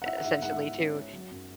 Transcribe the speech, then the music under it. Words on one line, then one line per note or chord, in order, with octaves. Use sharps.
essentially, to
F#5
E4 E5
F#5
G#2 E5
G#2 F#5
E5
E4 F#5
C#4
C#4
F#3
F#2